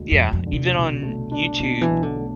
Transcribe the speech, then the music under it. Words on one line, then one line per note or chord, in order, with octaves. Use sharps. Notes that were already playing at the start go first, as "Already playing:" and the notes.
Yeah, even on YouTube,
Already playing: E1 D2 D3 G#3
F2
E1
F2
D3
C3
B1
A3
D4
B2 D3
E3
B1
D3
A3